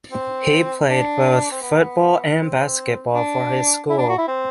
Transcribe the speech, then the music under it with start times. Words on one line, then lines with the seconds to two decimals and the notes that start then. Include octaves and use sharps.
He played both football and basketball for his school.
0.12 C4
0.88 D4
1.51 C4
1.62 B3
2.38 C4
3.14 D4
3.89 E4
3.98 D4
4.09 F#4
4.18 E4
4.28 C4